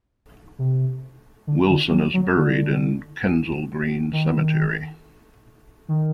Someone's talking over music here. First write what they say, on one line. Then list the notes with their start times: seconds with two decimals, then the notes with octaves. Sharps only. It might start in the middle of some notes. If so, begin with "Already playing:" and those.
Wilson is buried in Kensal Green Cemetery.
0.59 C3
1.47 D3
1.69 D3
1.91 F#3
2.13 F#3
2.36 D3
4.12 D#3
5.89 D#3